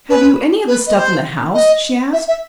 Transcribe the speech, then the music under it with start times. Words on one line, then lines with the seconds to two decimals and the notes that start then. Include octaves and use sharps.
"Have you any of the stuff in the house?" she asked.
0.09 B4
0.66 B4
0.87 D#5
0.96 C5
1.54 D#5
2.12 E5
2.27 E5